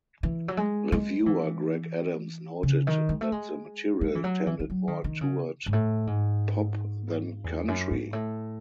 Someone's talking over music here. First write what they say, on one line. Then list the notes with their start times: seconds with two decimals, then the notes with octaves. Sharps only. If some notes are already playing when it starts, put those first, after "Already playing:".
Reviewer Greg Adams noted that the material tended more toward pop than country.
0.23 E3
0.48 F#3
0.57 G#3
0.92 G#3
1.26 E3
2.63 C#3
2.87 D#3
3.09 G#3
3.21 A3
3.32 G#3
4.01 G#3
4.15 E3
4.24 F#3
4.47 E3
4.60 E3
4.70 F#3
4.87 D#3
5.04 D#3
5.21 C#3
5.66 G#2
5.73 A2
6.07 G#2
7.44 E2
7.68 F#2
7.91 G#2
8.13 A2